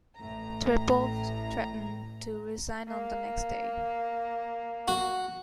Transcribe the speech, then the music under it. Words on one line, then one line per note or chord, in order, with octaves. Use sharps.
Trepov threatened to resign on the next day.
A1 A2 A#5
A#3
F#4